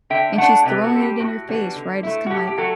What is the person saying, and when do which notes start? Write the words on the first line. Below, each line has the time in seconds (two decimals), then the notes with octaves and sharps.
and she's throwing it in your face, right, it's kinda like,
0.10 D3 E5 G5
0.38 A3 D4 F#5 A5
0.65 C3 G4 B4
0.84 F#4 A4
0.94 G3 C4
1.03 G4
1.20 A2 F#4
1.49 E3 G3 B3 D4
1.76 D3
2.03 A3 E4
2.26 F#4
2.30 A2 G4
2.47 G4
2.58 F#3 A3 F#4 A4